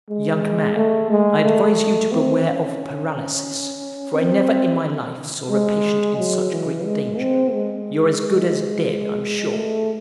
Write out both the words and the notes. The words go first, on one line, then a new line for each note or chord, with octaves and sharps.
Young man, I advise you to beware of paralysis for I never in my life saw a patient in such great danger; you're as good as dead, I'm sure!
G#3
A3
G#3
A3
C4
C#4
C4
G#3
F#3
E3
G#3
C4
G#3
A3